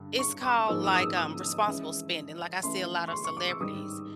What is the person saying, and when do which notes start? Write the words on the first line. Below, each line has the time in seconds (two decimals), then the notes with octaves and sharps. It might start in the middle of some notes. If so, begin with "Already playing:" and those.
it's called, like, um, responsible spending, like, I see a lot of celebrities
Already playing: G2 D3 G3
0.19 C#6
0.43 D6
0.68 G#2 F3 A#3 D#4 E6
0.84 E6
0.95 D#6
1.01 E6
1.17 D#6
1.66 E3 G#3 C#4 E4
2.63 E3 A3 C#4 C6
3.08 C#6
3.12 C6
3.25 C#6
3.37 D6
3.49 E6
3.61 G#2 D#3 G3 D#6